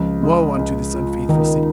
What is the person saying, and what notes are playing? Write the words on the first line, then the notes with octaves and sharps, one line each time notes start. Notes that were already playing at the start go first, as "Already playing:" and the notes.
Woe unto this unfaithful city!
Already playing: C#2 F3
G#3
C#2
F4
D#3 D#4